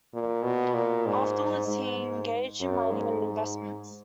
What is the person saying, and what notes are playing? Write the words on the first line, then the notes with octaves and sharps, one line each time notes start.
Afterwards he engaged in mining and investments.
A#2
B2
A#2
G#2
G#2
F#2
G#2